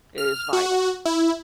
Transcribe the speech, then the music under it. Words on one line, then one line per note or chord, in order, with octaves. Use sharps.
Is vital.
F6
F#4
E4